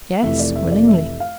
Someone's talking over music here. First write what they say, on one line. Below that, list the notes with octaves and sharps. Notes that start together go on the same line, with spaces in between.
"Yes, willingly."
F1 F2 E3 A3 E5
D5
E5
D5
E5
F5